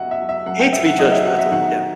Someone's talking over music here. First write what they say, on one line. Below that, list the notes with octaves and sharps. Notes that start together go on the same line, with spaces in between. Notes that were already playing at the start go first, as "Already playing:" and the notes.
Hate to be judgmental yeah.
Already playing: F#2 F#3 D#5 E5 F#5
E5
F#3
E5
F#2 F#5
G5
F#2 E5
F#5
F#3 D#5
E5
F#3 F#5
E5
D#3 F#5